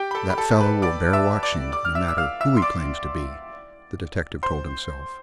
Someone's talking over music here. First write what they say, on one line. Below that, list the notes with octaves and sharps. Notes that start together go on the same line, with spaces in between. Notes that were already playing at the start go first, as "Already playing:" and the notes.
"That fellow will bear watching, no matter who he claims to be," the detective told himself.
Already playing: G4 G5
B5
A4 A5
B5
A4 A5
A5
B4 B5
D5 D6
E5 E6
D5 D6
D5 D6
F6
E5 E6
E6
F5 F6
E5 E6
C6
D5 D6
C5 C6